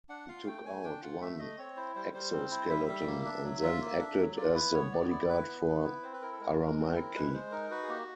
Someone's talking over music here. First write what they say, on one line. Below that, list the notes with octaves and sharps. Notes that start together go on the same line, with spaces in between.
He took out one exoskeleton and then acted as the bodyguard for Aramaki.
D4 F#5
F4 F5
A3 G5
A3 G#5
D4 G5
F4 F#5
A3 E5
A3 D#5
C4 C#5
E4 C5
G3 C5
G3 C5
C4
E4
G3 E5
G3
A#3
D4
F#3
F4
A#3
D4
F#3
F4 D5
E4 B4
B3 C#5
B3 D5
C#5
E4 D5
E4 B4
B3
B3
E4
C4 C5
B4
E4 A#4
A4
G#3 A#4
G#3
C4
E4
G#3 B4
G#3 C5
D#4 A#4
F#4 B4
G#4
A#3 G4